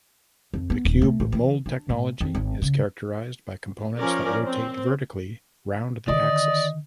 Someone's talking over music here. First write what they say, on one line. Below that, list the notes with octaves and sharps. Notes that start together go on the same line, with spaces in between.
The cube mold technology is characterized by components that rotate vertically round the axis.
F2
B3
D#1
A3
A1
E3
D4
A2
F2
G#1
C#3
F3 C#4 A#4 D5
C4
D3 D#3 D5 D#5